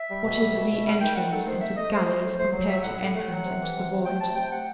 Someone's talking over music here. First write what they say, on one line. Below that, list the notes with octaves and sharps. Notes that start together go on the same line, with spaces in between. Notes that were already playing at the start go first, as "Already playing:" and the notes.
What is a re-entrance into the galleys, compared to entrance into the void?
Already playing: E5
G3
B2
G3
B2
B2
G3
D#3 G5
A3 F#5
D#3 A4
A3 C5
A3 E5
A3 D#5
A3 C5
A3 C5
A2 C5
A3 C5
F#3
F#3 E5
A2 F#5
A2
A3
F#3
C3
E3
C3
C3
A3 G5
C3 A5
C3 G5
A3 F#5